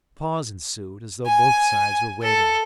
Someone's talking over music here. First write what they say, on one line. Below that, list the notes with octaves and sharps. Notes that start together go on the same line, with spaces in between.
A pause ensued, as though both sides were waiting.
G#5
A4